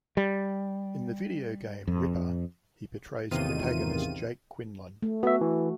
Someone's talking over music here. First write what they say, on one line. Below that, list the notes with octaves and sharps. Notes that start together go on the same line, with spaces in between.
In the video game "Ripper", he portrays protagonist Jake Quinlan.
G3
F2
A1 E2 C3 D#3 F4 D#7
A3
B3 F#4 E5
E3